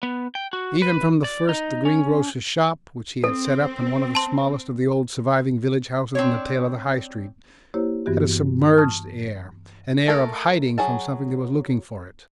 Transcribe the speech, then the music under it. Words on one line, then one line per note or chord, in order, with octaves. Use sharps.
Even from the first the green-grocer's shop which he had set up in one of the smallest of the old surviving village houses in the tail of the High Street had a submerged air, an air of hiding from something that was looking for it.
B3
G5
F#4
B4
D5
D#4
C#4
C4 A4
A5 C6
C4 D4 C#5
A#3 E4 G4 C5 C#5
G2 E3 B3 F#4 G4
A5 C#6 D#6 F6
A3 A4 A#4
F#3 F#4 G#4 A5